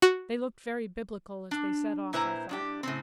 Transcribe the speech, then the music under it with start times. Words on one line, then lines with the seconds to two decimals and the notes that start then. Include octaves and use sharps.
They looked very Biblical as they set off, I thought.
0.02 F#4
1.51 D4
2.13 A#2 E4 B4 C5 G#5 A#5
2.49 G2 D4 G4
2.83 A2 C#3 C4